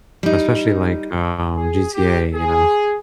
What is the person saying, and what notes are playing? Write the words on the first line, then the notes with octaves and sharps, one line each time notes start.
especially like, um, GTA, you know,
G3 D#4
G#4
G4
G#4